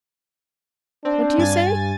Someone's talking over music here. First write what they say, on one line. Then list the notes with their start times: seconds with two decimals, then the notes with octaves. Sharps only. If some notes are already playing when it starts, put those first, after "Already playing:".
"What do you say?"
1.05 C4 D4
1.38 G2 G#5 A6